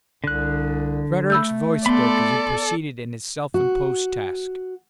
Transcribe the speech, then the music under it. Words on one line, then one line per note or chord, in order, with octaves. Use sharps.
Frederick's voice broke as he proceeded in his self-imposed task.
C2 D3 F#6
A3 B5 E6 G6
B3 A4 D5 B5 C6
F#4